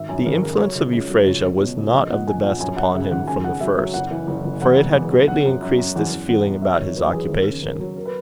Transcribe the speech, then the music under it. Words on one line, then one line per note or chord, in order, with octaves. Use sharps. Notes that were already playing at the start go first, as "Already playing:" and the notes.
The influence of Euphrasia was not of the best upon him from the first; for it had greatly increased this feeling about his occupation.
Already playing: G#1 E5
F#2 G#5
G#1 A#4
C#3 A#4
F#3 C#5
C#2
C#2
F#3
C#2 C#5
C#2
B2
C#2
A#1 D#5
A#2 F#5
A#1 G#5
A#1 F#5
F#2 G#5
F#2 F#5
C#3 E5
G#1 F#5
C#3 G#5
C#3 F#5
F#3 E5
F#3 E5
F#1 F#5
E3
F#1
F#1
E1 F#5
E1
E2
E1
C#3 F#5
F#2
F#2
F#2
E2 F#5
E2
E2 F#5
B2
F#3 E5
D#3 C#5
F#3 B4
E2 G#4
D#2 A#4
C#3
D#2 A#4
F#3
A#4
B4